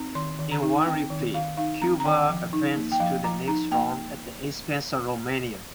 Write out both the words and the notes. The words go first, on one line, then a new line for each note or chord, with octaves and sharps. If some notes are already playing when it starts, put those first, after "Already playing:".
In one replay, Cuba advanced to the next round at the expense of Romania.
Already playing: C4 D#4
D#3 C6
D#3
A#5
D#4
C4 G5
D#3
D#3 F5
D#4 F5
C4 A#5
A#5
D#3 G5
F3
D#4
A#3
G5
F3 F5
F3 A#5
D#4 A#5
A#3 G5